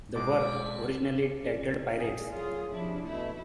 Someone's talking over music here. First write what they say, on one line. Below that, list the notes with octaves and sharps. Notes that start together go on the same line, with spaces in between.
The work, originally titled Pirates!
B1 G#3 D6
G#4
F#3 F4 G#4
C3 F3 D4 E4
B2 A3 E4